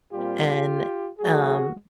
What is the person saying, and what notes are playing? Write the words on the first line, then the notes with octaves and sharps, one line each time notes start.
and, um,
A#2 G3 C4 F4 G4
D#3 F#3 A3 F#4 G#4